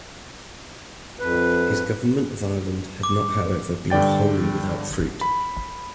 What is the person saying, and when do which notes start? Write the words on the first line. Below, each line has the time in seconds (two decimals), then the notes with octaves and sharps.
His government of Ireland had not however, been wholly without fruit.
1.19 F2 B4
3.03 D6
3.90 G2 D3 D5 G5 A6
5.21 B5